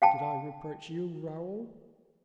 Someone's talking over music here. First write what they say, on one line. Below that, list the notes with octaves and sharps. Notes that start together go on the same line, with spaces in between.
"Did I reproach you, Raoul?"
F5 G5 A5